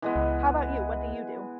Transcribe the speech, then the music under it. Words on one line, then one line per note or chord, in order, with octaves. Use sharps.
How 'bout you, what do you do?
E3 G#3 B3
C#2